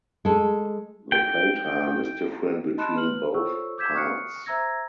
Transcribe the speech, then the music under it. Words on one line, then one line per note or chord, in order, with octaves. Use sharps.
The playtime is different between both parts.
G#3 A4
G5
D#5 A5 B5 C6 F#6 E7
B4 F6 F#7
F4 A4 C5 C#5 C#6 E6
D6 E6 G6 G#6 B6 E7
C#6 D#6 F6 F#6 C7 C#7
C5 E5 A#5 E6 G#6 A#6